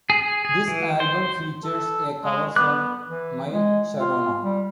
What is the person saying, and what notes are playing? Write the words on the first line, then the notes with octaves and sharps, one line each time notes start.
This album features a cover song My Sharona.
G#4
G#4
G#4
E3
C5
A4
G#3
B3 D6 F#6
E3
G#3
F4
G3